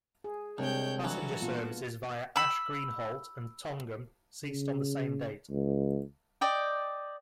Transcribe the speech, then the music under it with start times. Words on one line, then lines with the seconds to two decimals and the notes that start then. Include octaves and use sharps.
Passenger services via Ash Green Halt and Tongham ceased on the same date.
0.24 G#4
0.58 C2 G3 G#3 D4 C#5 G5 G6
1.04 E3 F#3 D4 F#4 A4
1.42 A#2 B3 F4
2.36 B5 E6
4.44 C#3
5.50 C#2
6.41 D5 D#5 G5